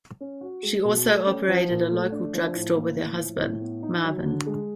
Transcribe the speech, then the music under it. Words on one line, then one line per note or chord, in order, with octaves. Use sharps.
She also operated a local drugstore with her husband, Marvin.
C#4
F#4
G#3
B2
A3
C#4
F3
A#2
A3
D4
F3
A2
A#3
A2
F3
A2
B3
D#4
F#3
D3
G#3